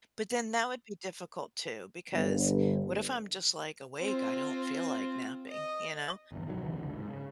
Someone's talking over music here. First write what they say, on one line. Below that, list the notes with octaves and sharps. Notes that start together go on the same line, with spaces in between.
but then that would be difficult too, because, what if I'm just like awake, I don't feel like napping, you know?
G1
C4 F4
D#5
G1 E2
B1 D#3 F#3
D2 C3 E3 F#3
F#1 C#2 D3
G#2
C#3